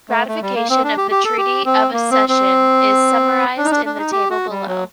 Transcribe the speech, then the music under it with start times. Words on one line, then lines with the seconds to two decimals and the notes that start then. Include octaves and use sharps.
Ratification of the Treaty of Accession is summarized in the table below.
0.09 A3
0.28 A3
0.42 G3
0.55 A#3
0.70 C4
0.84 D4
0.97 G4
1.11 G4
1.25 A4
1.38 G4
1.65 C4
1.94 A#3
2.11 C4
2.29 C4
3.58 D4
3.65 D#4
3.71 D4
3.86 D4
3.99 D#4
4.12 G4
4.30 F#4
4.50 G3
4.67 F#3